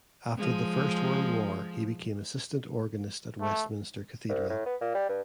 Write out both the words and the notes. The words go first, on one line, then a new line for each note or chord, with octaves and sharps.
After the First World War he became assistant organist at Westminster Cathedral.
F3 G#3
A3
C2
A2
B3
A#2
G3
G2